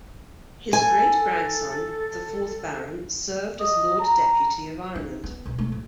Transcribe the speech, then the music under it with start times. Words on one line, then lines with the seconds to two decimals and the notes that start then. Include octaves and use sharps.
His great-grandson, the fourth Baron, served as Lord Deputy of Ireland.
0.73 A4 G#5
3.60 D#5
3.99 A#5
4.95 D#4
5.24 B3
5.46 B1
5.59 A3
5.72 A2